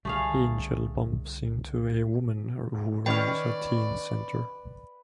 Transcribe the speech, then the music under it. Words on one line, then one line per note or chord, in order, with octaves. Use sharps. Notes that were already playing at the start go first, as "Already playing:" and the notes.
Angel bumps into a woman who runs a teen center.
C2 D3 G3 A3 G#4 F5
D#3 C#4 B4 C#5 D5 G5 F6